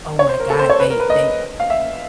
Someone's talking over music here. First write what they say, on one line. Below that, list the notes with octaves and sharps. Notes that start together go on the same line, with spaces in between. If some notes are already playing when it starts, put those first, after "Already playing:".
oh my god, they they
C#5
C5
A#4
A4
C5
C#5
B4
A#4
B4
D#5
F5
E5